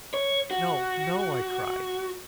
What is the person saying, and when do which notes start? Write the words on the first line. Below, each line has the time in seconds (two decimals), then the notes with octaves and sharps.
"No, no!" I cried.
0.14 C#5
0.51 F#4